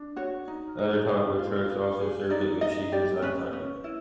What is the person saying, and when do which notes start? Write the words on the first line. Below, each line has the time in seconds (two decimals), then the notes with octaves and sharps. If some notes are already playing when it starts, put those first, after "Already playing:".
Other tacos trucks also served it with cheese inside the taco.
Already playing: D4
0.16 F#4 C#5
0.48 D#4
0.78 D#4
1.08 G#4
1.39 F4
1.70 F4
2.01 G#4
2.30 D#4 D5
2.61 D#4 D#5
2.92 G4 D5
3.22 C#4 B4
3.53 C#4
3.84 E4